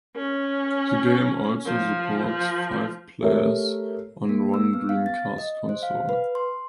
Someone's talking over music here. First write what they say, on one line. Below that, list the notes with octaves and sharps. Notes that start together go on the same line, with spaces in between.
The game also supports five players on one Dreamcast console.
C#4
F3
F3
A3 G4 A#4 C#5 E5
A#3
E6
B3
F5
A6
D#5
C5
F5
B4
C6